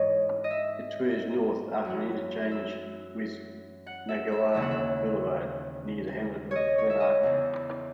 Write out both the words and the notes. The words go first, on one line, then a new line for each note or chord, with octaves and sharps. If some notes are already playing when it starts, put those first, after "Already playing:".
It swerves north after an interchange with Neyagawa Boulevard, near the hamlet of Glenarchy.
Already playing: G#2 E3 C#5 D#5
D#5
E5
F#2 E3
E5
F#5
E5
E5
D#2 C#3 E3 E5
F#5
E5
C#5 D#5
C#5
E5
D#5
E2 C#3 E3